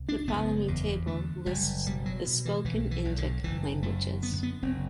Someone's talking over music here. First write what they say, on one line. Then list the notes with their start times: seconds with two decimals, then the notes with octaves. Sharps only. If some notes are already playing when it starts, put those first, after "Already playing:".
The following table lists the spoken Indic languages.
Already playing: C2
0.09 D4
0.27 F#1 B3
0.68 E2
1.07 D3 A3
1.46 F#1 G3
1.86 B2 G3
2.06 F#3
2.26 B2
2.45 E3
2.64 B1 E3
2.91 E3
3.05 B1
3.18 D3
3.43 F#1 E3
3.83 F#2 A3
4.22 D3 B3
4.43 B3
4.62 F#1 C4